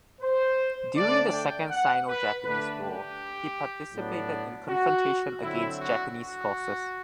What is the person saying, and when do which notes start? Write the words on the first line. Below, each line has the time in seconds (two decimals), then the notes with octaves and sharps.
During the Second Sino-Japanese War, he participated in confrontation against Japanese forces.
0.21 C5
0.95 D3 A3 D4 D5
1.33 G5
1.70 F#5
2.07 B4
2.44 D3 A3 D4 B4
2.81 G4
3.94 A2 F#3 B3 D4
4.68 F#4
5.42 D3 F#3 C4 E4
5.80 F#4
6.16 F#4